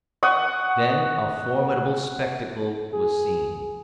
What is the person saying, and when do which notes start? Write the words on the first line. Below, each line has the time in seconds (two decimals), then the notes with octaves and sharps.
Then a formidable spectacle was seen.
0.23 F#5 C#6 D#6
2.93 G#4